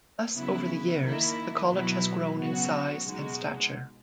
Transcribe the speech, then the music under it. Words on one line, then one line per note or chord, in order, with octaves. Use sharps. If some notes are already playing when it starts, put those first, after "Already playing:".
Thus over the years, the College has grown in size and stature.
C#3 F#3 B3 E4
D#3 A#3 E4
B2 F#3 B3 E4
C#3 F#3 B3 F#4
B2 G#3 D#4 F#4